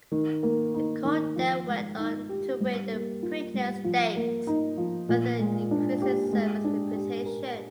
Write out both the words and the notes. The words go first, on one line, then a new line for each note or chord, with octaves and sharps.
The colt then went on to win the Preakness Stakes further increasing Servis' reputation.
D#3
A#3
D#4
D#3
F3
G#3
D#4
G4
G3
A#3
F4
G3
F3
A#3
D#4
F3
A#2
G#3
D4
G4
G#3
D4
G4
A#4